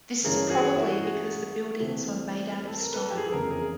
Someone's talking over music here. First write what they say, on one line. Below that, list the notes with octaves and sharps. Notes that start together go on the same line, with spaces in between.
This is probably because the buildings were made out of stone.
G2 E3 G#3 C#4 G#4 A#4
F#4 G#4
E4 F#4
F#4 G#4
D2 C3 E3 A3
A4
A#4
A4 B4
G4
G#4
A4
F1 E2 C#3 G#4 A#4
G#4 A#4